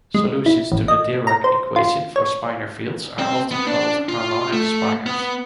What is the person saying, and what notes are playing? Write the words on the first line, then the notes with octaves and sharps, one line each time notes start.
Solutions to the Dirac equation for spinor fields are often called "harmonic spinors".
G#3
E4
A1
D#5
A#5
C5
F4
C#5
C4
B3
D4
F4
A3
B3